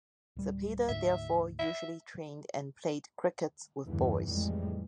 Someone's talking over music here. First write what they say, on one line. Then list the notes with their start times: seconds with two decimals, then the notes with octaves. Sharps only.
Zepeda therefore usually trained and played cricket with boys.
0.37 D1 G3
0.88 D2 G#2 E5
1.59 E5
3.85 E2 G2 D3 E3
4.27 F2 A2 E3 G3 G#3